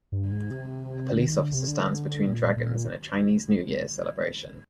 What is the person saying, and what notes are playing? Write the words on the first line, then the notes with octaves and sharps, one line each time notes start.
A police officer stands between dragons in a Chinese New Year celebration.
G2
G#2
C3
D3
D#3
D3
C3
D3
A#2
A#2